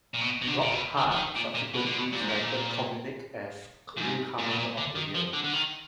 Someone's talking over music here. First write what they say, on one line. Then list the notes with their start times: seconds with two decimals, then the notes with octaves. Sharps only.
"Rock Hard" subsequently selected Communic as Newcomer of the Year.
0.14 A#2
0.21 B2
0.41 B2
0.47 D3
0.61 A#2
0.73 B2
0.98 D3
1.12 F3
1.16 D#3
1.36 A#2
1.55 A#2
1.74 B2
1.86 D3
1.98 B2
2.12 A#2
2.21 G#2
2.28 A#2
3.97 A#2
4.01 G#2
4.39 A#2
4.49 B2
4.58 A#2
4.77 D3
4.95 D#3
5.14 F3
5.33 D3
5.44 D3
5.53 D#3